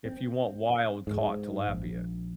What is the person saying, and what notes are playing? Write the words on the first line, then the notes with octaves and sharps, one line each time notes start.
if you want wild-caught tilapia,
C4
G#2
A#1